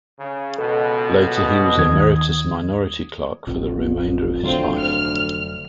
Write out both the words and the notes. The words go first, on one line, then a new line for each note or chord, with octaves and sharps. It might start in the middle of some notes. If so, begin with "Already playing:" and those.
Later, he was Emeritus Minority Clerk, for the remainder of his life.
C#3
C#2 B2 A4
D#6
D#2 G#6
D1 A1 F2
F1 D2 D3 F#3 C4 F4
F6